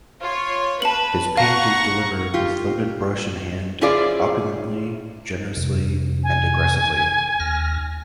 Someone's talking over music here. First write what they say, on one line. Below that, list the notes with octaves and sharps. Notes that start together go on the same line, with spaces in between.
His paint is delivered with loaded brush in hand, opulently, generously and aggressively.
F4 C#5
B4 A5 F#7
F5 F#5 A#5 C#6
F4 G4
C#4 E4 F4 G#4 C5 D5
F2 C3
G#5
D#2 F6 A#6